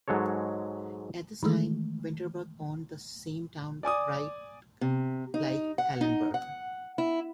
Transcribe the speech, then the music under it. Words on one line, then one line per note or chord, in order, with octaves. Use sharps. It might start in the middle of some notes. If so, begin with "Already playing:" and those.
At this time Winterberg owned the same town right like Hallenberg.
G#2 F#3 G#3 A4 C#5
D#3 E3 G#3 A3
D5 G#5 D6 D#6
C3
D#4
F#5
D#4
F#5
E4